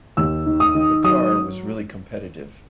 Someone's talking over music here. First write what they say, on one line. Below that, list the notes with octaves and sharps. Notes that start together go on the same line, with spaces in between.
The car was really competitive.
D#2 E6
D#3
D#6
D#3
F#3 D#6